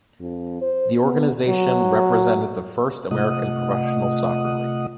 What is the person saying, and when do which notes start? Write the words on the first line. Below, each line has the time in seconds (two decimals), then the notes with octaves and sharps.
The organization represented the first American professional soccer league.
0.20 F2
0.61 C5
1.02 B3
1.49 F#3
3.11 C3 A3 F4 D#5 F#5 D#6